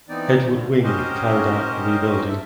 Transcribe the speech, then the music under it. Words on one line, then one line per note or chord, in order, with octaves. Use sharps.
Edward Wing carried out the rebuilding.
E3 B3 C4 D#4 D5
G2 D3 D#3
C#4 F#4 G4 A#4 C5 D#5
A4 E5